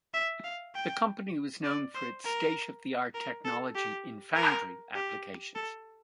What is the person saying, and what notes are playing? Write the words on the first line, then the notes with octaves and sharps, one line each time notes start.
The company was known for its state of the art technology in foundry applications.
E5
F5
G5
D5
C5
A#4
A#4
A4
G4
A#4
G4
A4